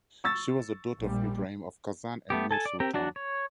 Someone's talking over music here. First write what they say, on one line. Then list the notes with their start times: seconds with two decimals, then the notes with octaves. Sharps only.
She was the daughter of Ibrahim of Kazan and Nur Sultan.
0.24 C#6 E6 A6
0.99 A#1 A#2 G3
2.30 A3 B3 G4
2.51 A4 G#5 A5
2.66 D5
2.80 C4 G4 A#4
2.94 F#3 D4 F#4 D5
3.16 C#5